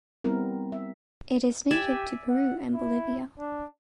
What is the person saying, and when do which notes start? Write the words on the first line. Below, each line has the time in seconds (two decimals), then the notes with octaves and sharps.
It is native to Peru and Bolivia.
0.24 G3 B3 C4 E4 A#4
0.72 E5
1.71 G4 D5 E5 G#5
2.29 F#5
2.74 E4
3.39 D4